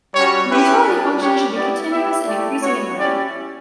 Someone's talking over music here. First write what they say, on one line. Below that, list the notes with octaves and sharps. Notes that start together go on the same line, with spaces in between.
The utility function should be continuous and increasing in money.
G3 C#4 F#4 C#5
C#4 E4 G4 B4
G3 B3 D4
G3 C#4 G4 C#5
B3 E4 G4 D5
B3 E4 G4 E5
A3 E4 G4 D5
B3 F#4 C#5
C#4 E4 G4 D5